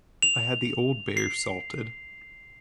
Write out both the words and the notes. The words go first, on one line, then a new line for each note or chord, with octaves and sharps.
I had the old bear salted.
F7
C7